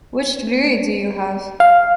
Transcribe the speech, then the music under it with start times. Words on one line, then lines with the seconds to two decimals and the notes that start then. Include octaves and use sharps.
Which degree do you have?
1.60 F5